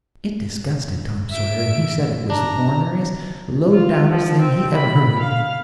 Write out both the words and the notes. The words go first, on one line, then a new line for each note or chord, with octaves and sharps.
It disgusted Tom Sawyer, and he said it was the orneriest, low-downest thing he ever heard of.
E5 D7
D4 A#5
F4
F3
C4
B5
F5